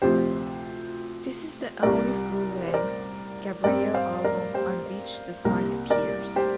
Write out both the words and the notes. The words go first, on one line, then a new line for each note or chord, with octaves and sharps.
This is the only full-length Gabriel album on which the song appears.
D2 C3 F3 C4 G4 C5
C2 C3 G3 A#4 D5
C5
A#4 D5
G2 G3 C4 A#4 D5
C5 F5
A#4 D5
G4 C5
C2 C3 G3 A#3 A#4
A#4 D5
G4 C5